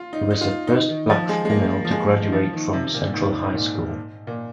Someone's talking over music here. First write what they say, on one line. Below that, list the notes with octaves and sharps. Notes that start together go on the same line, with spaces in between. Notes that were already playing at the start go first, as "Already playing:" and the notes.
She was the first black female to graduate from Central High School.
Already playing: F4
D#4
D#4
F4
D#4
D#3
F3
G#3
G#3
A#3
F3
G#3
D#3
F3
F3
D#3
C3
C3
A#2
G#2
G#2
A#2
A#2